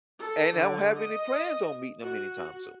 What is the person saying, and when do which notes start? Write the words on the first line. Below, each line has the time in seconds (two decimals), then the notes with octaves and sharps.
and I don't have any plans on meeting ‘em anytime soon.
0.19 A4
0.55 D3
0.98 D#5
2.02 F#4